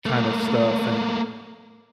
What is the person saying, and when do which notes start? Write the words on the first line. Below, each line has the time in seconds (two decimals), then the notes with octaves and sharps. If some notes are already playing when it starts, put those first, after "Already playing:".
kinda stuff, and,
0.06 A3 A#3